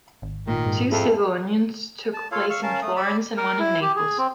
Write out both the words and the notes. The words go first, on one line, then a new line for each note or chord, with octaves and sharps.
Two civil unions took place in Florence and one in Naples.
G#1
A#2 D#3
G#2
F2 E4 G#4 A4
A5
F4 A4 C#5 F5
F5 C#6 E6
C#4 A#4 F5 A5
A3 D#6
D5 B5 E6
A#4
E4
G4
G#4
C4